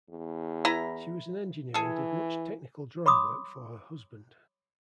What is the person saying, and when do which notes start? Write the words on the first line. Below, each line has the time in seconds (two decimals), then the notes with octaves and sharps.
She was an engineer and did much technical drawing work for her husband.
0.10 E2
0.65 E4 B4 A#5
1.74 E3 G#4 A4
3.06 C#5 B5 C6 D6 D#6